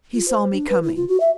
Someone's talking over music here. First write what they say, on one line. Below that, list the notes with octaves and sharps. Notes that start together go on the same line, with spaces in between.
He saw me coming.
F4
C5
D4
B4
E4
F4
F#4
E5